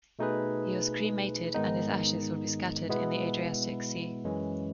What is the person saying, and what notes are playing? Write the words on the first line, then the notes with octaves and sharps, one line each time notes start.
He was cremated and his ashes will be scattered in the Adriatic Sea.
B2 A3 D#4 G#4 B4
G#2 D#3 G#3 B3 D#4
B2 G#3 B3 E4
F#2 E3 G#3 C#4